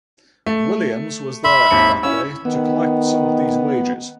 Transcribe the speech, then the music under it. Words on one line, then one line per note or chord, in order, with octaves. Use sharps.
Williams was there that day to collect some of these wages.
A3
E5 B5 C6
G#1 D#2 C#7
C#4 E4 E6
D#3 B3